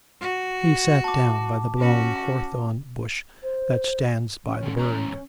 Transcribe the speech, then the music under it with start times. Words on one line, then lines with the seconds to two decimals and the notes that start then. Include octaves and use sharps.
He sat down by the blown hawthorn bush that stands by the burgh.
0.20 F#4
1.04 A5 D6
1.77 C#4 F#4
3.43 C5
4.48 C#4
4.63 D#3 A4
4.77 E2 G#2 A#5